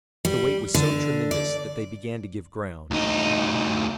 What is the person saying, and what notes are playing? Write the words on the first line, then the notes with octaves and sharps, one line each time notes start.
But the weight was so tremendous that they began to give ground.
G3
D3
D5
D2 D#4